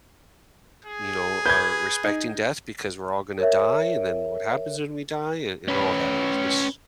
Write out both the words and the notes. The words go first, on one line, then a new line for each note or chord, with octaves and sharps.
you know, are respecting death because we're all gonna die, and then what happens when we die, and and all that, it's just
G#4
B4 G6 G#6
D#4
A#4 C#5 E5
C#4 B4